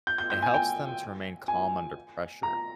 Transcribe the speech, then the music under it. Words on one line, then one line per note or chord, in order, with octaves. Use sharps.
it helps them to remain calm under pressure,
G6
G6
G6
G#5
G5
G#5
A#5